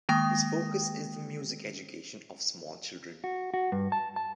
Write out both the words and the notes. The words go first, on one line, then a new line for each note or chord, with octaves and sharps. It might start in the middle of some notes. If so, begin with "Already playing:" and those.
His focus is the music education of small children.
D#3 G#3 A#3 G5 D#6 A#6
F#4
F#4
G2
A5
A5